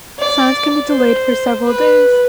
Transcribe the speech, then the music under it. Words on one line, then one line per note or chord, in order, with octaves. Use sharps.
Signs can be delayed for several days.
D5
C5
B4